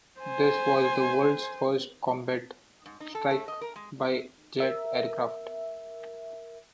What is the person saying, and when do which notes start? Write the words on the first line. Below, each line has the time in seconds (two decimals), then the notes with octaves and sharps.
This was the world's first combat strike by jet aircraft.
0.20 C5 G#5
2.86 G#2
3.00 D#4
3.15 A4
3.31 A3
3.48 D#5
3.61 A#4
3.76 G#3
4.60 A#4 E5